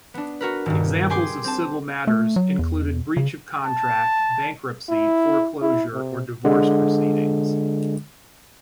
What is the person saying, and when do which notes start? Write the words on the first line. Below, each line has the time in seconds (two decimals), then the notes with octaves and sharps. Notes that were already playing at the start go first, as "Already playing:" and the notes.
Examples of civil matters included breach of contract, bankruptcy, foreclosure or divorce proceedings.
0.14 B3 D4
0.40 F#4 A#4 B4
0.66 D#1 G2
1.10 G4 G#4 G#5 C6 D6
1.44 C4 A5
2.07 A3
2.36 F#3
2.59 E2
3.17 C#3
3.64 A5
4.89 E4
5.61 E4
5.93 C3
6.45 D3 G#3